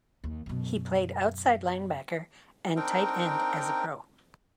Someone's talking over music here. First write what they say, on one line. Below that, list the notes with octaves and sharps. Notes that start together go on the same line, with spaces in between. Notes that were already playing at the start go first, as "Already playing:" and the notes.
He played outside linebacker and tight end as a pro.
D#2
F#2 B2
C4 D4 D#4 A#4 G5